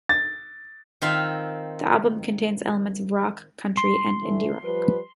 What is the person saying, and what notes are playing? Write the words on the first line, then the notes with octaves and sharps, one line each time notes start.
The album contains elements of rock, country and indie rock.
A6
D#3 C4 F4 E5 F5
C6
D3 E3 A3
F3 G3 B4